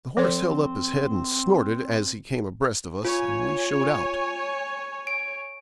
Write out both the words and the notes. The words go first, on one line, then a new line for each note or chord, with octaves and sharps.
The horse held up his head and snorted as he came abreast of us, and we showed out.
F3 C4 A4 C5
F4 C#5 G#5
D7